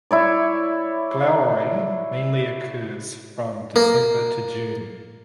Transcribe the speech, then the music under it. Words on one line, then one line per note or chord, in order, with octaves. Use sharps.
Flowering mainly occurs from December to June.
E4 C#5 D5
A#3